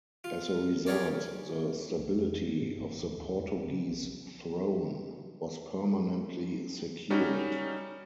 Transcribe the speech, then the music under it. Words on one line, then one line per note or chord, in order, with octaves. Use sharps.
As a result, the stability of the Portuguese throne was permanently secured.
F4
G4 G#4 A#4 C#5 D5
B1
F2
G2
F#1
D2
D2
E2
D#1
C#3
B1
G3 C#4 D#4 F#4